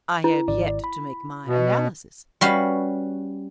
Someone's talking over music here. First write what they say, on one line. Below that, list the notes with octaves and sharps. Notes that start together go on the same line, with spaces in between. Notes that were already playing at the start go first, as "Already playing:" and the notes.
"I have yet to make my analysis."
E4 B4
G#1 D5
B5
B2
G3 C#4 F#4 B4 F5